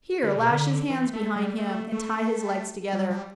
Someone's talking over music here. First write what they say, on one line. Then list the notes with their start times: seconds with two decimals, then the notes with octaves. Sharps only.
Here, lash his hands behind him, and tie his legs together.
0.23 D3
0.36 B2
0.51 D3
0.90 E3
1.13 A3
1.36 G3
1.58 A3
1.92 A3
2.93 G3
3.10 G3